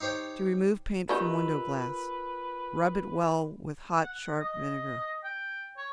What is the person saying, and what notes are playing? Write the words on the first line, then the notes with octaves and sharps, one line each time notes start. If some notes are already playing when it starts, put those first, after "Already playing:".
To Remove Paint from Window-Glass.--Rub it well with hot, sharp vinegar.
D#4 G4 C5 C#5 G5
B3 D#4 F4 G4 A#4 B4 C#6
F#5
D#5
G5
C#5